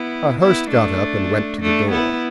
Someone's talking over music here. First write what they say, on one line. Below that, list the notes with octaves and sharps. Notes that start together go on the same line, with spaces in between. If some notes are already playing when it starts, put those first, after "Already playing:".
Our host got up and went to the door.
Already playing: B3 E4
B3 E4
A3 D4
A3 D4
B3 E4